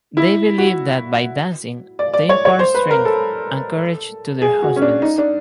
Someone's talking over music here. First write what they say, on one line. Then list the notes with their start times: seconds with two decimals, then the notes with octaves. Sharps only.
They believe that by dancing they impart strength and courage to their husbands.
0.17 E4
0.58 F#4
1.99 D5
2.14 D5
2.29 C#5
2.45 C#5
2.59 C5
2.74 B4
2.91 A#4
3.05 A4
4.42 G#4
4.62 F#4
4.76 C#4
4.82 D4
5.02 D#4
5.18 D4